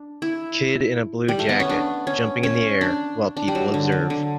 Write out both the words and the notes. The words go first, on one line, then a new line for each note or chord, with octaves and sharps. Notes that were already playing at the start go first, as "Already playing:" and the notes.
Kid in a blue jacket jumping in the air while people observe.
Already playing: D4
E4
G3
A3
B3
C#4
D4
C#4
C#4
D4
D4
G3
F#3
D3
D3
D3